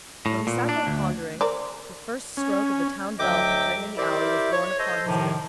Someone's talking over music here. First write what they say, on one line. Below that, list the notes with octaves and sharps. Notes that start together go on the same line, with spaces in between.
While he sat there pondering, the first stroke of the town bell proclaiming the hour was borne upon his ear.
A2
A#2
D4
D2
A#4 C5 D5
C#4
D2 F#3 D#5 E5 G5 D6
E4 G4 A#4 C5 D5 E5
C#5
A4 C5 D#5
D#2 A2 C3 D#3 F3